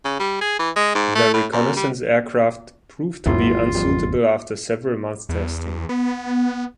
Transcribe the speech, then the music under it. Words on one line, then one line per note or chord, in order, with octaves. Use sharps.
The reconnaissance aircraft proved to be unsuitable after several months' testing.
C#3
G3
G#4
E3
G#3
G#2
A3
A2
F#2
G3
G#1 E2 F#3 A#3 E4 F4
F2 G3 A#3
E2
B3